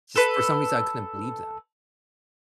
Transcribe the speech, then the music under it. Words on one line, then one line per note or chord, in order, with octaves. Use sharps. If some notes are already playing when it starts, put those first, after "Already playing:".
Just for some reason I couldn't believe them.
A4 B4